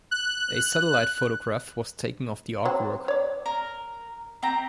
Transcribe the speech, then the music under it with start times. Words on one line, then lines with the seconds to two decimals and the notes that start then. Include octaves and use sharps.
A satellite photograph was taken of the artwork.
0.11 F#6
2.65 F#3 C4
3.08 C#5 D5
3.46 A#4
4.43 C4 G4 A#5